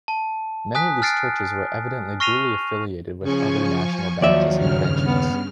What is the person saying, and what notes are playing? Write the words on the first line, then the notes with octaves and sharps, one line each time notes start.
Many of these churches were evidently dually affiliated with other National Baptist conventions.
A5
G#5 D#6 F#6 B6
F6 F#6 A6 C7 D7
C#6 F6 A#6 C7 D#7 F7
C#3 F3 G#5 C#6
D#2 F3 F#3 D5 E5
G2 C#3 F6
B3